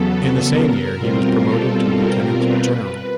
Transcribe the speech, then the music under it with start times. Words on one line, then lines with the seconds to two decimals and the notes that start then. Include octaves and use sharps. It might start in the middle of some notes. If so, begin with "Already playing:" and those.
In the same year he was promoted to lieutenant general.
Already playing: E2 C#3 F#3 B3 A4
0.45 A#4
0.94 B2 G3 C4 F4
1.45 A4
1.95 A#4
2.44 B4